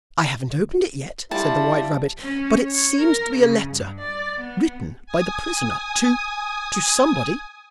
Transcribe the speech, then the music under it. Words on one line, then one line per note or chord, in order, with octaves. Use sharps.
'I haven't opened it yet,' said the White Rabbit, 'but it seems to be a letter, written by the prisoner to--to somebody.'
G3 E4 F4 A5
C#4
C#5
A#4
C#3
G2
D5
B3
G#5 D#6